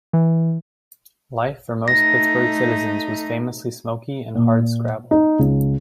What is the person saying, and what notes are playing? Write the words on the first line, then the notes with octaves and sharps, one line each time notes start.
Life for most Pittsburgh citizens was famously smokey and hardscrabble.
E3
A3 D#4 A#6
A#2
D#4
C#2